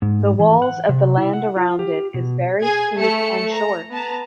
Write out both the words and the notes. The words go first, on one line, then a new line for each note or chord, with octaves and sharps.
The walls of the land around it is very steep and short.
G#2
E3
F#5
C3
E4
F#5
F4
G4
B2
G#4 G#6
A3 A4 C#7
A#5
B3 A5 A#5